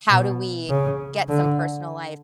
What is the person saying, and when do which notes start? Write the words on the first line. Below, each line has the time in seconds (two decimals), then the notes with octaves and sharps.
How do we get some personal life
0.10 B2
0.69 C#3
1.29 D3